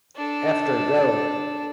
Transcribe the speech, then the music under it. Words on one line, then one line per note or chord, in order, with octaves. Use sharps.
After Go!
D4 A4